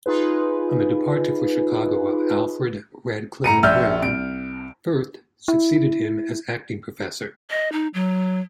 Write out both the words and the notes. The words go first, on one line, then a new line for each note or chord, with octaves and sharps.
On the departure for Chicago of Alfred Radcliffe-Brown, Firth succeeded him as acting Professor.
D#4 F4 G#4 B4
A2 A#5 C#7 D#7
A#1 E5 E6 F6 G6
C2 D7
E4
D#5
D#4
F#3